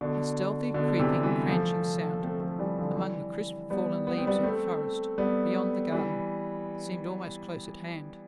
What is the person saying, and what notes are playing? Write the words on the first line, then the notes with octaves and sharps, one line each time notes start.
A stealthy, creeping, cranching sound among the crisp fallen leaves of the forest, beyond the garden, seemed almost close at hand.
B2 D3
B2 D3
C3 E3
E3 G3
F3 A3
A3 C4
F3 A3
E3 G3
D3 F3
E3 G3
G3 B3
B3
C4
G3 B3
A3 C4
G3 B3
E3 G3